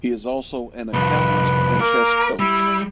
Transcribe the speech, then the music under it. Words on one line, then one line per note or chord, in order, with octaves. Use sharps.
He is also an accountant and chess coach.
C2 F2 B4
A#3 A#4
G3 E4